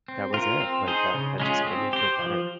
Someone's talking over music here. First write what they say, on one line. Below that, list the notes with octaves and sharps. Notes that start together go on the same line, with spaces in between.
that was it, like, that that just made me feel better.
C4
F4 A#4
C4
D#4 G#4 C5
C#3
G#3 C#4 F4 G#4
C4
G4 C5
F3